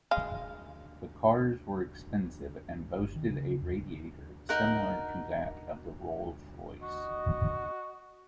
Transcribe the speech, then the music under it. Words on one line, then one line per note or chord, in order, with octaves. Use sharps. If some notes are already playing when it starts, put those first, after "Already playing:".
The cars were expensive and boasted a radiator similar to that of the Rolls-Royce.
G#3 F5
G1
D#3
C#3
E2
D#4 A#4 F#5
F#4 D#5